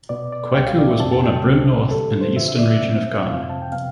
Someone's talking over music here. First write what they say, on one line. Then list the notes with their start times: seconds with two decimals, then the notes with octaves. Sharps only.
Kweku was born at Brim North in the Eastern Region of Ghana.
0.09 B2 B3 D5
0.33 D5
0.55 C2 B2 G3 B3 G5
0.67 F5
0.79 D5
0.89 E5
1.00 F2 C3 F3 C4 A5
1.13 A5
1.24 G5
1.46 C2 C3 G3 C4
1.91 G2 D3 G3 A4
2.21 C5
2.37 G2 D3 F3 B3 E5
2.48 E5
2.59 D5
2.70 E5
2.82 B2 A3 C4
3.27 F2 C3 F3 C4 F5
3.50 A5
3.62 G5
3.72 C3 G3 B3 F5